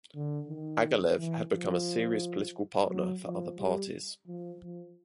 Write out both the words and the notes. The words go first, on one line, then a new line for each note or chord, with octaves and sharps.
Agalev had become a serious political partner for other parties.
D3
D#3
E3
F3
F#3
F3
G3
F3
F3